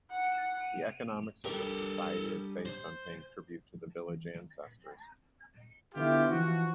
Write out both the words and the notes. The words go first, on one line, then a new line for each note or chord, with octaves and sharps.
The economics of the society is based on paying tribute to the village ancestors.
F#5
G3 D4 G4 A4 A#4
C5
D3 B3 E4 F4 G4
E3 F3 F#4